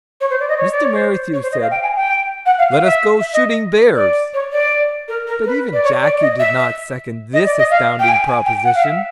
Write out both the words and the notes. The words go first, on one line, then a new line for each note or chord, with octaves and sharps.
Mr. Merrithew said "Let us go shooting bears," but even Jackie did not second this astounding proposition.
C#5
C5
D5
D#5
C#5
D5
C#5
C5
C#5
C5
D#5
F5
G5
G#5
G5
F#5
F5
F5
E5
E5
D#5
D5
C#5
D5
A#4
A#4
B4
D5
C#5
D5
D#5
E5
E5
D#5
D5
D#5
F5
G5
G#5
G#5
G5
F#5
F5
E5